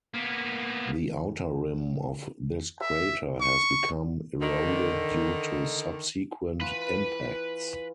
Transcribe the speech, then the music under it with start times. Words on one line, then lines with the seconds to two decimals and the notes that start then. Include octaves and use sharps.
The outer rim of this crater has become eroded due to subsequent impacts.
0.14 A#3 B3
2.81 E5
3.41 C#6
4.40 D3 D#3
6.61 E3 F4 B4 B5